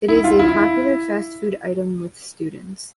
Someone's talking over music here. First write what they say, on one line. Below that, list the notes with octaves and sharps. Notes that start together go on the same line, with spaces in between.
It is a popular fast food item with students.
E4
F4
E4